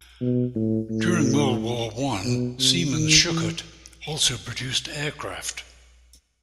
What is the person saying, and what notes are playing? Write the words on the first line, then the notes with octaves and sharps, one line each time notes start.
During World War One Siemens-Schuckert also produced aircraft.
B2
A2
A2
B2
C3
D#3
E3